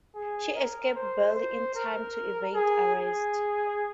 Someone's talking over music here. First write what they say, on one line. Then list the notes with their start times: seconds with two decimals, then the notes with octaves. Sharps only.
She escaped barely in time to evade arrest.
0.15 G#4
0.55 A#4
0.95 C5
1.36 C5
1.75 A#4
2.55 G#4
2.95 G#4